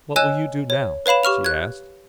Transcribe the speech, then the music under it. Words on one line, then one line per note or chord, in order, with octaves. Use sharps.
"What will you do now?" she asked.
C#5 D#5 G#5 E6 F#6 E7
C#5
B4 C#5 F5 B5 E7
G4 C#6 F6 F7
F#6 G#6